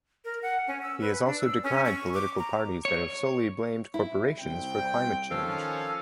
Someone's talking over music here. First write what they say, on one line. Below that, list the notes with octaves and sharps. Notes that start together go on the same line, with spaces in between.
He has also decried political parties that have solely blamed corporations for climate change.
A#4
F#5
C#4
E6
B4
D4
E6
C#4
C#6
D6
A#5
C#5
E4
C2 C4 G5
D#3 F3 C#4 A4 F5